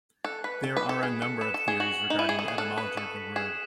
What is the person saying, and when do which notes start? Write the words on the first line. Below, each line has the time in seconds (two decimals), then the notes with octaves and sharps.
There are a number of theories regarding the etymology of the word.
0.24 A4 F#6
0.44 B4 B6
0.63 A4 B6
0.77 B4
0.83 E7
0.89 A4
1.03 G#4 D#6
1.22 A4 C#7
1.41 B4 E7
1.54 A4
1.61 E7
1.68 G#4
1.80 F#4 F#7
1.99 F#7
2.10 D#4
2.19 E4 D#7
2.29 G#4
2.38 A4 D#6
2.48 G#4
2.58 A4 F#6
2.77 B4 C#6
2.96 A4 C#6
3.16 B6
3.36 G#4 E7